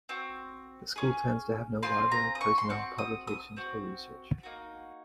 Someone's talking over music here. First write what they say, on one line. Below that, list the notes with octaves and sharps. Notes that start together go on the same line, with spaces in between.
The school tends to have no library, personnel, publications or research.
C4 F#4
C#4 G#4
C4 F4 G#4 C6
A#5
D#6
C#6
C6
C4 F#4 C#6
D#6
D#6
C4 F#4
A#3 D#4 F#4